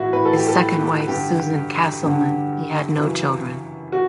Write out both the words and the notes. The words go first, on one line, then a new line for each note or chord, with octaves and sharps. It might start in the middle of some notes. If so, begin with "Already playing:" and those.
With his second wife, Susan Casselman, he had no children.
Already playing: A2 E3 E4 F#4
A2 E3 B4
A4
G4
A4
G2 D3 G4
G2 D3
F#2 C#3 E3
F#4